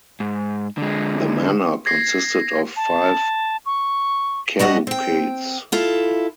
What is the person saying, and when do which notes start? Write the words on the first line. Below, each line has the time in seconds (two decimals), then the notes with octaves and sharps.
The manor consisted of five carucates.
0.20 G#2
0.78 D3 G#3
1.86 G#6 A#6 C7
2.76 A5
3.66 C#6
4.59 G3 F#4 D#5 F#5
4.87 C4 G5
5.72 E4 F4 A4